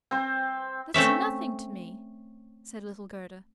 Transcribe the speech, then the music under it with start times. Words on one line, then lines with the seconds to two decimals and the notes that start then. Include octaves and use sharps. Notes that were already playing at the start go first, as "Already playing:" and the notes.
"That's nothing to me," said little Gerda.
0.11 C4 C5
0.94 A3 C4 C#4 E5